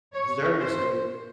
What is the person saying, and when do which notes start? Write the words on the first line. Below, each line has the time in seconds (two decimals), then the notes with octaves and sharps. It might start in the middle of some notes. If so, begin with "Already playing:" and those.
their mistake
0.13 C#5
0.60 C5